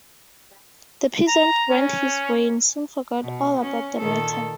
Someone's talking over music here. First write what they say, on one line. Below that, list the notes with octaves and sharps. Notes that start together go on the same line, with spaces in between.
The peasant went his way and soon forgot all about the matter.
A#5
C#4
B2
C#4
A#2 D#3 A4